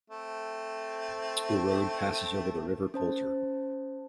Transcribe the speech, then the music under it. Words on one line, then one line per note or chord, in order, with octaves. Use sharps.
The road passes over the River Poulter.
A3 C4
C#4 C5 A5